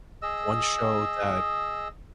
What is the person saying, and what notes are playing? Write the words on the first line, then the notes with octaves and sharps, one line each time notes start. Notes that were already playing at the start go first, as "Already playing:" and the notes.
one show that
G#4 D#5 E6